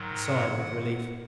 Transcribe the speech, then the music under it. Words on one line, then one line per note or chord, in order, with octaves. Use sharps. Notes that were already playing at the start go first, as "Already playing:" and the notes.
He sighed with relief.
Already playing: G#2 D#3 F#3
F#5